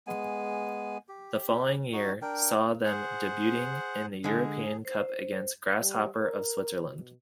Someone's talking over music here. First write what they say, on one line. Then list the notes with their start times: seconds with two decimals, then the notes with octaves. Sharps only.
The following year saw them debuting in the European Cup against Grasshopper of Switzerland.
0.07 G#3 B3 G#5
1.08 G4
1.93 D#4 F#4
2.22 D4 A#4 G5
2.84 G#4 C5 F#5
4.24 D3 G#3 G#4
4.85 C5
5.80 G3
6.18 A#4
6.82 B2